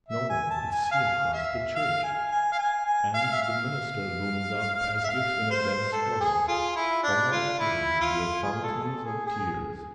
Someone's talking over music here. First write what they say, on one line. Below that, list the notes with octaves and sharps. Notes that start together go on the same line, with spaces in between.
No one could see across the church, and the minister loomed up, as if in a dense fog; all eyes were fountains of tears.
E5
G#5
A5
G#5
G#5
F5
E5
F5
G#5
G#5
F5
G#5
G#5
F5
E5
F5
E5
F5
C5
A4
G#4
F4
E4
D4
F4
E4
F4
G#4
A4
A4
G#4
G#4